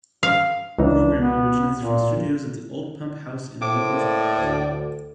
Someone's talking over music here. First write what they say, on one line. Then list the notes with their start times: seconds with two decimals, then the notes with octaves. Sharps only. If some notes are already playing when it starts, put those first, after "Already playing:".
Programming originates from studios at the Old Pump House in Knebworth Park.
0.23 F5
0.78 C#2 E3 D4 D#4
1.18 B3
1.79 A#2
3.61 A2 A#3 C5 D6
4.00 D5
4.39 D2